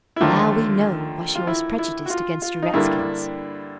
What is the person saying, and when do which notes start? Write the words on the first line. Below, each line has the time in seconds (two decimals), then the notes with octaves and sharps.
Now we know why she was prejudiced against the redskins.
0.16 E4
0.21 D#2 D3 F3 A3 F4
1.35 F4
1.47 E4
1.79 E4
2.06 F#4
2.10 F4
2.42 F4
2.62 D#4
2.73 G2 D3 G3 A#3 E4